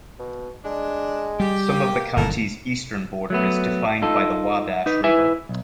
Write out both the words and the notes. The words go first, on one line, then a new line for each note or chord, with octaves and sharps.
Some of the county's eastern border is defined by the Wabash River.
B2
G#3 D4
G3 G4
A#3
G1 F#2 D#3 E4 A4 A#4
F#3 A3 B3
D#4 F4 A4
D#4 B4
E4 B4 E5 G#5
B1